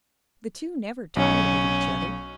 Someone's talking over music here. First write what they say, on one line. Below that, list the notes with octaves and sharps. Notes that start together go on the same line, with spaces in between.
The two never tired of each other.
B1 C#4